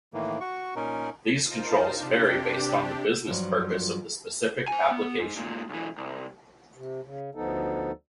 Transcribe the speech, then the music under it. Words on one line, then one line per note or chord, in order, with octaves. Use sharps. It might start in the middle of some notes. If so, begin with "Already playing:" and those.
These controls vary based on the business purpose of the specific application.
A2 D#3 E3 A#3
F#4 C#6
A#2 C#4 D#4 A#4
D#4 F4 A#4 C5 F5 A5
C3 D4 G4
G2 F3 F#3
C5 G#5
B3
G#2
G2 A#2
B1 E3
C2
C3
C#3
D2 F3 B3 D#4 A4